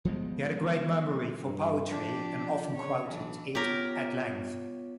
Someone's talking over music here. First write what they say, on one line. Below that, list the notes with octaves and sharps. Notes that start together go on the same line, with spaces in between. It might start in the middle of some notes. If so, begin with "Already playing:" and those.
He had a great memory for poetry and often quoted it at length.
F3 G3 G#3 B3
G2
F3 D4 G4
C#3 C#5
B1 E3 D4
B3 F4 G4 A#4 C#5